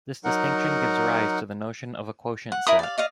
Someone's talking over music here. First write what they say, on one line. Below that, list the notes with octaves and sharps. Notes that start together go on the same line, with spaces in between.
This distinction gives rise to the notion of a quotient set.
F#3 D#4 A#4 F#5
F#5
E4 A#4 B5 D#6
D5 F5
D5 D#5 F5